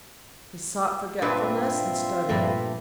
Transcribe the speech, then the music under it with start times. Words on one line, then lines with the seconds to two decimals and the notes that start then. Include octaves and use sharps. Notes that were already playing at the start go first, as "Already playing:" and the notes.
He sought forgetfulness in study.
1.22 G2 A#2 C4 D4 F4 B4 E5
2.29 G2 A#2 F3 A3 A#3 B4